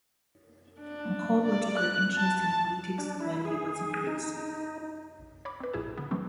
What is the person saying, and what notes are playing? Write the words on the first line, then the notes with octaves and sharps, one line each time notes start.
Ngcobo took an interest in politics while he was in grade six.
D4
D5
F#6
A5
D4
E4
G#4
D#4
C#5 B5 D6
C4 B4
A#1 A2 E4 G#4 A5
D3 B3
E3 F#3 G3 A3 C4